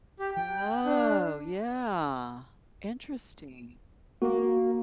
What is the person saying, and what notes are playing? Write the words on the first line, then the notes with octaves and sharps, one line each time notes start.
Oh, yeah, interesting.
G4
G5
D4
A#3 F#4